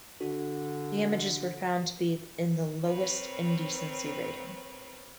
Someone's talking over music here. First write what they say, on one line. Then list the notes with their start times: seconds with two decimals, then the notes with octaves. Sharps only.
The images were found to be in the lowest indecency rating.
0.20 D3 D4 F#4 A4
2.85 C4 A#4 B4 C#5